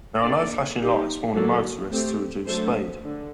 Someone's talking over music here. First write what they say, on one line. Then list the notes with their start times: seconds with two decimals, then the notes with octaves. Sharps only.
There are no flashing lights warning motorists to reduce speed.
0.21 A#3 D4 A4 D5
0.77 A#3 D#4 G4
1.34 D3 F#3 A#3 F#4 A4
1.91 A3 C4 G4
2.46 F#3 A3 D4 A4 C5
3.03 D3